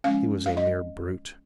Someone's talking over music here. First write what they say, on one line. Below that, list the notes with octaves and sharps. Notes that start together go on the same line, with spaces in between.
He was a mere brute.
F3 G#3 C#4 F5
F5
D#5